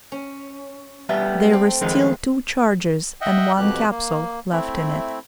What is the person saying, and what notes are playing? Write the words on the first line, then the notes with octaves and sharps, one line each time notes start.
There were still two charges and one capsule left in it.
C#4
G3 B3 G4 E5
A3 C4
F2 D#3 G#3 B3 F4
D#5 E5 F#5 G5
F2 B2 G4 F#6
A#3
A3 C4 E4